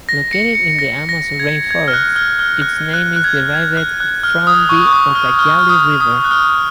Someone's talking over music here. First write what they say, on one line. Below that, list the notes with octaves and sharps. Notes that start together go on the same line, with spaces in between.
Located in the Amazon rainforest, its name is derived from the Ucayali River.
A#6
C#7
C#7
A#6
A#6
G#6
G#6
F6
F#6
F6
F6
F#6
F#6
F#6
G#6
G#6
F#6
F#6
F6
D#6
C#6
C#6
D#6
F6
F6
F6
D#6
D#6
F#6
F6